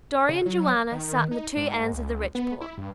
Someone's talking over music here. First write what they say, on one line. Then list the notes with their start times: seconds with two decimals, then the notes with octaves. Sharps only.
Dorry and Joanna sat on the two ends of the ridge-pole.
0.29 C#3
0.46 F#3
0.92 D#3
1.31 D#4
1.57 G#2
1.93 C#2
2.35 B3
2.61 E4
2.78 G2